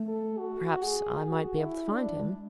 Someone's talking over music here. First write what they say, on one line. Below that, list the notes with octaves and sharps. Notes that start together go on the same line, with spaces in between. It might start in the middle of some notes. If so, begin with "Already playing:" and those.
Perhaps I might be able to find him.'
Already playing: A3
A4
F#4
G#4
F#4
E4
D4
G#3